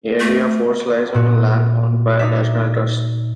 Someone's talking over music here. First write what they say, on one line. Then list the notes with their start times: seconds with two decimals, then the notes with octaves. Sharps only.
Aira Force lies on land owned by the National Trust.
0.20 A3
1.14 A#2 F#4
2.19 D#4 D5 E5